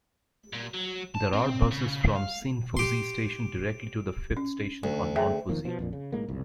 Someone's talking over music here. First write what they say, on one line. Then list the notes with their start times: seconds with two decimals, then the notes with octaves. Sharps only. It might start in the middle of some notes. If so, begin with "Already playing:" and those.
There are buses from Shin-Fuji Station directly to the fifth Station on Mount Fuji.
0.53 A#2
0.74 F#3
1.15 A5
1.33 C4
1.71 C#3
2.15 F5
2.77 G4 C6
4.37 C#4
4.84 D2
5.16 G#4 E5 G5
5.49 E1 D#3 F3 A#3
5.65 B2 F3
5.79 A#1 F2 A#2
5.93 C#3
6.12 B1 A2 G#3 A#3
6.28 F#1 C2 A#2